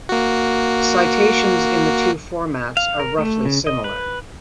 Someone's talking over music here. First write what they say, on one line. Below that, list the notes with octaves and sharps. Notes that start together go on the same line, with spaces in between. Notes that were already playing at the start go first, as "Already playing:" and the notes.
Citations in the two formats are roughly similar.
A#3 F#4
F5
A#4
A3
C#3
D#5
B4